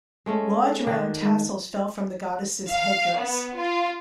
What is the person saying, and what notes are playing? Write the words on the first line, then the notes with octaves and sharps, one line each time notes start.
Large round tassels fell from the goddess's headdress.
G#3 A3 C#4
D3 D#3 D4
G#3
F5
B3
F4